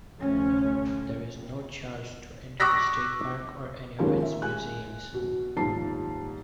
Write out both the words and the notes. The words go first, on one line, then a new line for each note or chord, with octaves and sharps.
There is no charge to enter the state park or any of its museums.
D2 C3 F3 A3 C#4
C#6 D6 E6 F#6 A#6 B6
D#2 D#3 F3 G#3 A#3 C#4
E5
G#3 G#5 F#6
B2
D#1 G#2 F3 A5 C7